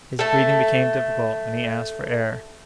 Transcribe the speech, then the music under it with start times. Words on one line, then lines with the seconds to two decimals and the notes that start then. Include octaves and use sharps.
His breathing became difficult, and he asked for air.
0.19 A3 A4